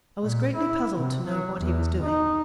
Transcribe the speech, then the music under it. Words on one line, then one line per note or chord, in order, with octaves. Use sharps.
I was greatly puzzled to know what he was doing.
A#2
E4
C3
F#3
E2
D#4